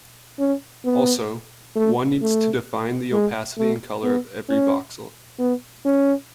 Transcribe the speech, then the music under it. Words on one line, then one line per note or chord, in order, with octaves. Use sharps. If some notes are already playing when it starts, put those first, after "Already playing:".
Also, one needs to define the opacity and color of every voxel.
C#4
B3
A3
A3
G#3
A3
B3
C#4
B3
C#4